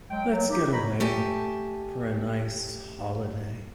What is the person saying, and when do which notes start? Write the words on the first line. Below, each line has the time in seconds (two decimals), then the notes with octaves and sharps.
Let's get away for a nice holiday.
0.11 F#3 G#3 G5
0.30 F#3
0.49 D#4 G4
0.72 C#5 D#5 A#5 B5
1.00 A3 G4 G#5 A5